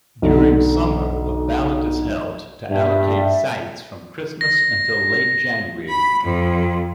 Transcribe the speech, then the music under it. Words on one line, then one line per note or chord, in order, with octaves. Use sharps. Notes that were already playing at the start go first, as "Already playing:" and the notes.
During summer a ballot is held to allocate sites from Christmas until late January.
B1 D3
G2 D5 E5
A#6
B5
F2